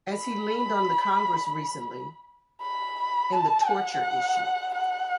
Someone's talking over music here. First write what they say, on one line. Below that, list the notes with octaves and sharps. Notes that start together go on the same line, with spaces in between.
As he leaned on the Congress recently-- in the-- torture issue.
B5
B5
A5
F#5
F#5